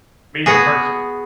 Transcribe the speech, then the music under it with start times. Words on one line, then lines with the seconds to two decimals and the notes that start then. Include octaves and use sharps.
meet the person.
0.46 B3 F#4 G#4